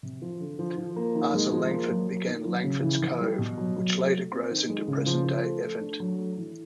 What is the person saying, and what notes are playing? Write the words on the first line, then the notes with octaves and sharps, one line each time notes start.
Asa Langford began Langford's Cove, which later grows into present-day Evant.
C3
F3
D3
F3
F3
A#3
D#3
G#3
F3
A#3
F#3
A#3
D#3
F#3
C#3
E3
E3
G3
B2
F#3
F#3
A3
A3
C4
D#3
G#3
C#3
F3
F3
A3
A3
D4
F#3
A3
E3